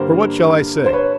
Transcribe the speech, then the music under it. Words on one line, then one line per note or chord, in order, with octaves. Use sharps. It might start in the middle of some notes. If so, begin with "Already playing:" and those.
For what shall I say?
Already playing: G2 D3 G3 A#3 A#4 C5
C5
B4 C#5